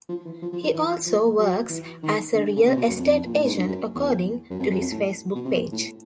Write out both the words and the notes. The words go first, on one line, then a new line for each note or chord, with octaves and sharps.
He also works as a real estate agent according to his Facebook page.
F3
E3
F3
F3
F3
E3
F3
F#3
E3
D#3
D3
D3
C#3
C3
B2
F#2
F2
A#2
A2
G#2
G2
F#2
E2
F#2
F2
F#2
F2
A2
B2
C3
A#2
A2